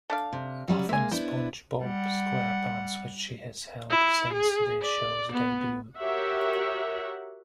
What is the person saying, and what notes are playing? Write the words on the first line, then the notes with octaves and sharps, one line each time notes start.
Puff in "SpongeBob SquarePants", which she has held since the show's debut.
A3 D4 F5
C3
F#3 G3 C#4
G#3 A#3 E5 G#5
B3 D4 E4 C5
G3 F#5
E4
G#4
D5
B3
F#4 G4 A#4 C#5 E5 F#5